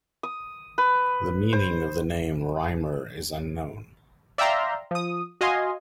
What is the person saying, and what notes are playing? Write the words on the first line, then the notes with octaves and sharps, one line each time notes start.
The meaning of the name "Rymr" is unknown.
D#6
B4
C5
D5 E5 F5 G5 A#5 C6
F3 D#6
F#4 D#5 F5 G#5 C6